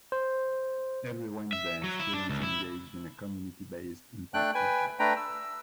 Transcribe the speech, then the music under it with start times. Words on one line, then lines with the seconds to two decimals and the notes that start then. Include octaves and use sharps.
Every Wednesday, students engage in a 'community based' impact project.
0.12 C5
1.53 E5
1.84 F#3
1.99 E4
2.14 D4
2.29 C#2
2.43 E4
4.34 A3 D4 G5 F#6
4.54 B4 G5 G#5
4.99 A3 D4 B4 G5 A#5
5.16 E6